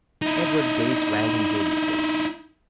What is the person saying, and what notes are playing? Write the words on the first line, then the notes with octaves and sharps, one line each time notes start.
Edward gazed around him dubiously.
D#4 E4